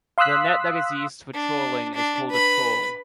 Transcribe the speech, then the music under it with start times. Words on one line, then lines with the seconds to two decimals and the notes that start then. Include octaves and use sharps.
The net that is used for trawling is called a trawl.
0.18 F5 C6 D#6 E6 F#6 B6
1.34 D4
1.95 D4
2.30 B4 B5